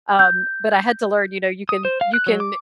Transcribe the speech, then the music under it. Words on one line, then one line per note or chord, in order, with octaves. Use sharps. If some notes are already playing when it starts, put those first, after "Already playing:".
um, but I had to learn, you know, you can you can
G6
D#6
C5
F5
F#6
F#3
D6